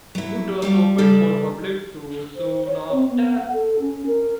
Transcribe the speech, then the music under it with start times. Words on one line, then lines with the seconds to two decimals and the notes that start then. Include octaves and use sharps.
It was opened for public tours soon after.
0.15 F#3 E4
0.62 G3 E4 G4 F5
0.98 C#3 G3 D4 A4
2.35 C5
2.66 C#5
2.92 C4
3.09 B3
3.38 F#5
3.53 A4
3.80 C#4
4.07 A#4